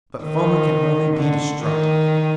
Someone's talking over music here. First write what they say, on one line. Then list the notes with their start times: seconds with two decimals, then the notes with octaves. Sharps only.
But Foma can only be destructive.
0.24 D#3
1.17 D3
1.64 D#3